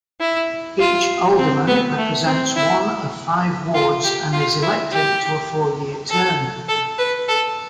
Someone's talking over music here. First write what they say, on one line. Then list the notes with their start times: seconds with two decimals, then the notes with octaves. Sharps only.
Each alderman represents one of five wards and is elected to a four-year term.
0.21 E4
0.79 F4
1.38 C4
1.67 B3
1.98 A3
2.26 C4
2.56 E4
3.74 F4
4.04 G4
4.33 F4
4.62 E4
4.92 G4
6.10 A4
6.68 A4
6.98 B4
7.28 A4